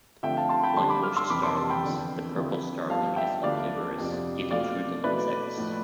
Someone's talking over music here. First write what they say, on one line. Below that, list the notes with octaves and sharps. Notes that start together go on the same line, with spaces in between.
Like most starlings, the purple starling is omnivorous, eating fruit and insects.
D3 F3 A3 C4 F4 E5 G5
F5 A5
A5 C6
G5 B5
G2 D3 G3 D4 A5 C6
B5 D6
D6 F6
C6 E6
F2 C3 E3 B5 D6
A5 C6
A5 C6
G5 B5
E2 D3 F3 C4 F4
D3 F3 C4 E4
G2 F3 B3 F5 A5
E5 G5
D2 D3 F3 B3 D4 D5 F5
F2 C3 F3 C4
B2 A3 C4 F4 D5 F5
B2 A3 E4 B4 D5
A2 F3 A3